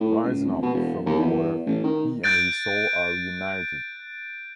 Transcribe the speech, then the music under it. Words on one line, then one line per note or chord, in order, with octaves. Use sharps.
Rising up from the water, he and his Soul are reunited.
A2
C#2
F1
B2
E1
D#2
E2
A1
D#3
F#6 G6 A6 D7